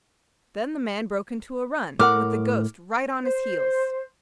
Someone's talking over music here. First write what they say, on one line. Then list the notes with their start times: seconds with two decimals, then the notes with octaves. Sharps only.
Then the man broke into a run with the ghost right on his heels.
1.99 A2 A#4 F#5 D6 F6
3.25 C5